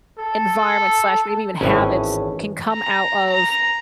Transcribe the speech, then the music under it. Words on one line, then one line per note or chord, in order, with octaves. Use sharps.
environment slash maybe even habits can come out of
A4
G#1 A2 E3 C#4
A#5
A#5